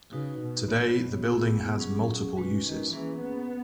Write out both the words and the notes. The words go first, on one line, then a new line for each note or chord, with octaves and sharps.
Today the building has multiple uses.
C#3 D#4 F#4 B4
B2
A#2 B3 F#4 C#5
B2
B3 E4 G#4
B2
F#3 C#4 G#4
B2 G#3 C#4 F#4 B4
D#3
E3 A#3 C#4 G#4 B4
B3